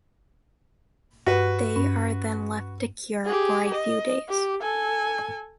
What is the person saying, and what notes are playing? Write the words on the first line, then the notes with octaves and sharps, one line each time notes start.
They are then left to cure for a few days.
G2 F#4 B4
G2 C#4 B5
G4 G#4
D#5
G4
A4 G#5